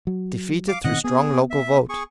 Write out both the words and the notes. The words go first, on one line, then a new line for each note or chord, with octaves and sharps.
Defeated through strong local vote.
F#3
F5 D6
B2 D#3 C4 D#5 F#5 F#6
B3 G#4
E5
G#4 C#6